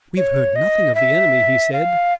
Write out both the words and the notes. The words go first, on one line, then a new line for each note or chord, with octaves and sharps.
"We have heard nothing of the enemy," he said.
C#5
D#5
E5
F5